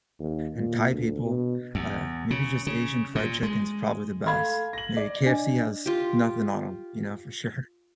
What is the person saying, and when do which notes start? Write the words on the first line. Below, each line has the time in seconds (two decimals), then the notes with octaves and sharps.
and Thai people. Uh, maybe just Asian fried chicken's probably the best. A KFC has nothing on 'em, you know, for sure,
0.19 D#2
0.56 A#2
0.91 D2
1.25 B2
1.75 E2
2.30 C#3
2.67 C#3
3.15 A#2
3.43 G#3
4.27 A3 F5 F#5 B5 C6 G#6
4.73 A#6 F#7
4.97 D5
5.26 D4 D#5
5.86 F4 G4